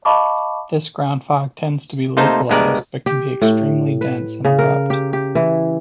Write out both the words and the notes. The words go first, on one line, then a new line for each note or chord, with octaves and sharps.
This ground fog tends to be localized but can be extremely dense and abrupt.
D#5 F5 A5 B5 C#6 D6
C3 A3 A#3 D#4 C5 A5
D2 G2 G#3 B3 A#4 D5
G4
A2
B4
C#3
A#4
G4
G4
E3